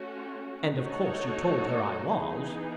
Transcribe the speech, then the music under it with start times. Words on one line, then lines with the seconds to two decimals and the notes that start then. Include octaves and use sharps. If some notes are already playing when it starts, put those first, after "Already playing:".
"And of course you told her I was."
Already playing: A3 C#4 F#4
0.77 A3 D#4 F#4 A4 C#5
2.10 E3 B3 D#4 G#4